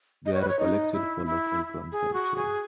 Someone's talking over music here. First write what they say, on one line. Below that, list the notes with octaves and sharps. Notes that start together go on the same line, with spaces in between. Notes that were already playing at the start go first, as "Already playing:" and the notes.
They are collected for local consumption.
D#5
C#5
B4
C#5
D#4
E4
E4
G#4
F#4
G#4